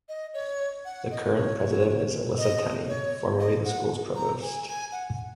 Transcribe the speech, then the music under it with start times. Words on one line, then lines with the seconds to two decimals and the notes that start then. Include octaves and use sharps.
The current president is Elissa Tenny, formerly the school's provost.
0.09 D#5
0.34 C#5
0.85 F#5
1.11 D#5
1.36 C#5
2.38 D#5
2.88 C#5
3.40 D#5
3.65 F#5
4.15 A#5
4.42 G#5
4.67 G#5
4.92 F#5